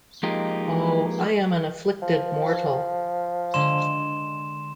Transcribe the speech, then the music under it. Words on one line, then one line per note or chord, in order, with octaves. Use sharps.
Oh, I am an afflicted mortal.
F3 G#3 A#3 D#4 G4
F3
D3 G#3 C6 E7